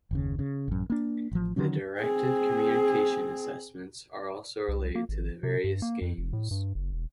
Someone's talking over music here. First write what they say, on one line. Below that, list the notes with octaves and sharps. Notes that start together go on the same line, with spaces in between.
The Directive Communication assessments are also related to the various games.
F#1 D#2 C#3
C#3
A1 F#2
A#3 D4
A1 F3
D3 D#3 F#3 C#4
C4 G#4
C2
A#3
G#1
C3
G2
A#3
F2
F1
A2
G2
F#1
E1